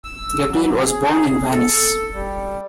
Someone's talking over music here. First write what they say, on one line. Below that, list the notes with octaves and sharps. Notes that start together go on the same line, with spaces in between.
Gabrieli was born in Venice.
E6
F#3
G#4
A4
G3